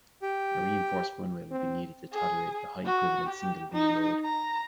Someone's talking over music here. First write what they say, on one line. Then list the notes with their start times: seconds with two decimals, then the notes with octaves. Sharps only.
A reinforced runway will be needed to tolerate the high equivalent single wheel load.
0.22 G4
1.51 C4
2.13 G#4
2.86 F#4
3.28 G4
3.72 D#4
4.24 A#5